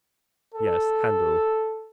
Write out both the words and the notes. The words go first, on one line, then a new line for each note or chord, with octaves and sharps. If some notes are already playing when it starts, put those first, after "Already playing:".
Yes. Handel.
A4